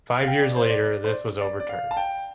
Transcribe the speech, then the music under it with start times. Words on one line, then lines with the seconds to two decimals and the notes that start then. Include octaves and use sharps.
Five years later, this was overturned.
0.21 F5
0.28 G5
0.42 D5
0.56 C5
0.70 D5
0.84 D5
1.04 C5
1.12 D5
1.41 D5
1.60 D5
1.69 F5
1.91 A5
1.97 G5